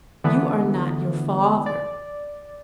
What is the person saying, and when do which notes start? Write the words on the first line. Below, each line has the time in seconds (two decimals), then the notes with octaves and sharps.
'You are not your father.'
0.24 D3 E3 A3 B3
1.66 D5